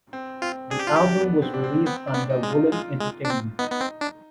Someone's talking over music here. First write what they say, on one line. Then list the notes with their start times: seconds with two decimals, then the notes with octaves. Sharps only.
The album was released under Woollim Entertainment.
0.13 C4
0.42 C4 F4
0.70 D4 G#4
0.79 G4
0.87 F4
0.96 D4 G4
1.21 B3
1.42 C4
1.54 D4
1.64 C4
1.86 B3 C4
2.07 D4
2.14 B3
2.30 D#4
2.43 G#3
2.50 F4
2.72 G#3 F4
3.00 G#3
3.25 D4
3.30 C4
3.59 B3 D#4
3.71 B3
3.81 C4
4.01 D4